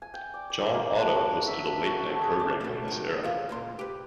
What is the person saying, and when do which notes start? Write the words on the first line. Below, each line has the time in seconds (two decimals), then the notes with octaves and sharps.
John Otto hosted a late night program in this era.
0.02 G#5
0.14 G5
0.34 D5
0.50 D5
0.74 A#3
0.95 D4
1.15 F#4
1.47 E5
1.86 F#4
2.06 A3
2.21 G#4
2.40 D5
2.61 B2 A3
2.88 D#3 F#3
3.23 E2 F4 G#4
3.49 C#2 A#2 C6
3.79 G4 B4